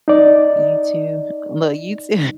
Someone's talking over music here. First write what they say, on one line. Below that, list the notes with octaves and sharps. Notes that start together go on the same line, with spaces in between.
You too? Well, you too.
D#4 D5